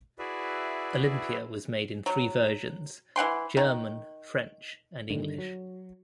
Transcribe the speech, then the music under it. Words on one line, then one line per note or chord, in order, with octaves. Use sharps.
"Olympia" was made in three versions: German, French and English.
E4 F#4 G#4 B4 D5 E5
F#3
E3 F#5 G5 C6
D#3
G2 D3 D#3
F#3